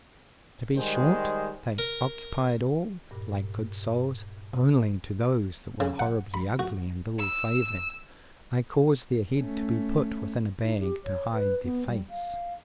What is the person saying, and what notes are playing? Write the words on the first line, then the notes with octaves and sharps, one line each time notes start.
To be short, they occupied all, like good souls; only, to those that were horribly ugly and ill-favoured, I caused their head to be put within a bag, to hide their face.
D#3 G3 G#3 C5
A#4
G2 A#2
C#3
F#5
B5
F#4
E6
A3 C#4
D#4
G4
C#5
B4
B3
G3
F5